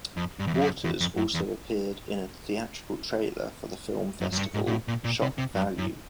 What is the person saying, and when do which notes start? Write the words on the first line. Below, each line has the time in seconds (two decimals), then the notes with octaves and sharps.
Waters also appeared in a theatrical trailer for the film festival Shock Value.
0.17 F2
0.39 G2
0.47 E2
0.54 F2
0.62 F#2
0.84 E2
1.00 F2
1.17 F#2
1.34 E2
4.21 F#2
4.32 F#2
4.37 G2
4.54 G#2
4.67 A#2
4.70 A2
4.88 A#2
5.04 A#2
5.22 C3
5.38 C3
5.55 F#2
5.78 F#2